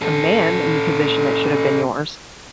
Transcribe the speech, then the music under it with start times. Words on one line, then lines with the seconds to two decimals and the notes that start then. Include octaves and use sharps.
a man in the position that should've been yours.
0.02 C#4 A4